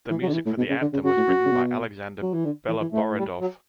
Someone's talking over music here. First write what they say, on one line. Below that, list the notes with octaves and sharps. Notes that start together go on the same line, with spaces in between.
The music for the anthem was written by Alexander Beloborodov.
E3
F#3
D3
E3
A2
B2
C#3
D3
C#3
C#3 F#4
A2
F#2
C#3
B2
F#3
E3
D3
E3
E3
A2 A3
G3
F#3